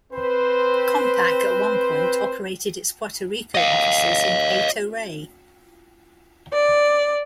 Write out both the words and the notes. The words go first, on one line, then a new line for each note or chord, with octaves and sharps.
Compaq at one point operated its Puerto Rico offices in Hato Rey.
C4 B4 C5
D#5 F5
D5